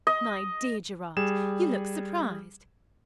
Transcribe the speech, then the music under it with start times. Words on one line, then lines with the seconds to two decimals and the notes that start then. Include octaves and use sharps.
My dear Gerard! you look surprised.
0.07 D#5
1.17 G3 G#4 E7